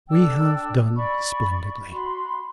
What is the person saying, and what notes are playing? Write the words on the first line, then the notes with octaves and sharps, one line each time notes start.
We have done splendidly.
D4 A4 G5 E6
D5 B5 C#6
F#4 B5 C6